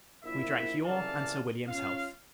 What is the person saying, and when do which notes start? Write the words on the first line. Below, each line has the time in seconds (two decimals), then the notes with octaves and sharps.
We drank your and Sir William's health.
0.24 A#1 E4 E5
0.86 C2 C#3 E3 D5 F5 A5
1.69 C#4 F4 F5